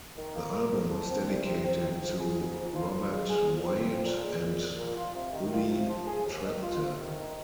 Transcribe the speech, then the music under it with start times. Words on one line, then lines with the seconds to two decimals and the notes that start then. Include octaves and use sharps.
The album was dedicated to Robert Wyatt and Uli Trepte.
0.16 D#3
0.34 A#3
0.53 A#4
0.71 F2
0.89 F3
1.08 C4
1.27 C2
1.44 C3
1.64 C4
1.82 G#2
2.00 F3
2.19 G#4
2.38 G#2
2.56 F3
2.74 F4
2.93 F3
3.11 G#3
3.29 G#4
3.48 F3
3.67 C4
3.85 F3
4.03 A#2
4.22 G#3
4.40 A#2
4.59 C2
4.78 A#2
4.96 F4
5.14 C3
5.32 D#3
5.52 F4
5.70 C3
5.88 F3
6.07 G#4
6.25 D#2
6.44 D#3
6.62 F4
6.81 C3
6.99 D#3
7.18 D#4